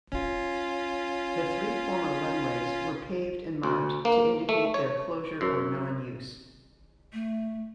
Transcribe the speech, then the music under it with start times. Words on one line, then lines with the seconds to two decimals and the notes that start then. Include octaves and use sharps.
The three former runways were paved and marked to indicate their closure or non-use.
0.12 C#4 F4
3.63 D2
4.05 A#3
4.49 A3
4.74 C#5
5.41 F#2
7.13 A3